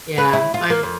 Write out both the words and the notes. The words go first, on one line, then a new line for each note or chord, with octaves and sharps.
Yeah. I'm
B4
E4
F4
A#3
F2